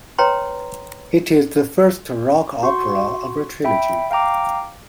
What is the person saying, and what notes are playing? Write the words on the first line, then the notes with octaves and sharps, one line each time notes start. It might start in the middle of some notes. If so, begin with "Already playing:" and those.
It is the first rock opera of a trilogy.
B4 C#5 G5 A#5 C6
F#4 C6 C#6
E5 G5 B5
F5 G5 A#5 D6